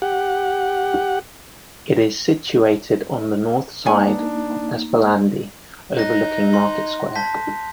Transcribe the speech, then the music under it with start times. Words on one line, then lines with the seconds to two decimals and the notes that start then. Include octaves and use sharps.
It is situated on the north side of Esplanadi, overlooking Market Square.
0.02 G4 F#5
3.86 G#3 A#3 B3 D4 D#4 G#5
5.97 D#4 F#6 A#6
6.54 C6
7.16 A5 G6 B6